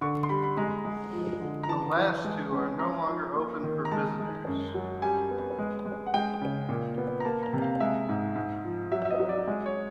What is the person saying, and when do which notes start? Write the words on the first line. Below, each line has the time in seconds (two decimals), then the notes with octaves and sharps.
The last two are no longer open for visitors.
0.01 D3 C#6
0.23 C6
0.29 G3 B5
0.43 B5
0.57 G#3 A#5
0.85 G#3
1.12 F3
1.41 D3
1.63 A#5
1.69 E3 A5
1.97 E3
2.24 G#3
2.52 C#4
2.79 C#4 A#5
3.07 F3
3.36 A#3
3.63 D#3
3.85 A#5
3.91 G#3 A5
4.19 G#3
4.47 F#2
4.74 F#3
5.02 G3 G#5
5.31 B3
5.59 G#3
5.86 G#3
6.07 F#5
6.14 G#3 G5
6.41 C#3
6.69 A#2
6.98 B3
7.20 A#5
7.25 A#3 A5
7.43 A#5
7.53 C3
7.62 F5
7.80 G#3 E5
8.09 G#2
8.36 G#2
8.64 F3
8.92 F#3 E5
9.05 E5
9.10 D#5
9.20 F#3
9.29 D5
9.47 G#3
9.66 C#5